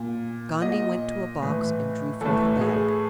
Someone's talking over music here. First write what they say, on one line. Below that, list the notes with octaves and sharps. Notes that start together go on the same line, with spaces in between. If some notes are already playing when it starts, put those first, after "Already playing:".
Gondy went to a box and drew forth a bag.
Already playing: A#2
A#2 D#5
A2 E3
A2 E3 A4
G#4